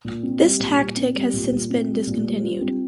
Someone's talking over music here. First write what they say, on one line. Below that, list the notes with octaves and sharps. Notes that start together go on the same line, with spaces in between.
This tactic has since been discontinued.
A#2
C4
G3
A#2
A#2
C4
G3
A#2
A#2
C4
G3
A#2
G3
F4
C4